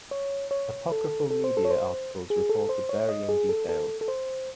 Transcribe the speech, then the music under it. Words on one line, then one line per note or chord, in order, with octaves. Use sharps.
Apocryphal media articles reported varying details.
C#5
C#5
A4
A4
C5
A4
C#5
C5
G#4
A4
C5
C#5
D#5
G#4
A4
A4
A4
C5